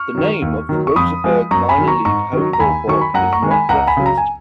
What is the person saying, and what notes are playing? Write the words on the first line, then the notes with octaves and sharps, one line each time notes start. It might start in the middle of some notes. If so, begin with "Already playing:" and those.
The name of the Roseburg minor league home ballpark is not referenced.
Already playing: C#6 F6
D#3 F#3
D#2
D#3 F#3
C#6
F2 B5 D#6
F3 G#3
F#2 A#5 C#6
G#5 B5
D#3 F#3
A#5 C#6
G#2 A#5 C#6
D#3 F#3
A#5
D#2 G#5 B5
D#3 F#3 C#6
B5
F#2 F#5 A#5
A#5 C#6
D#3 G#3
G#5 B5
C#2 F#5 A#5
G#5 B5
C#3 F#3
A#5
G#5